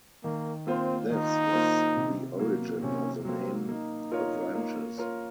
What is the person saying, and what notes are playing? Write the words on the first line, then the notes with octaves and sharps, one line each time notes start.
This was the origin of the name "Avranches".
D#3 A#3
A#3 C4 F4 C5
D#3 D#4
A#3 F4 C5
C3
F#3 A#3
C3 C#4
F#3 A#3 C4
A#3 D#4
F4 A#4 C#5
A#3
F4 A#4 C#5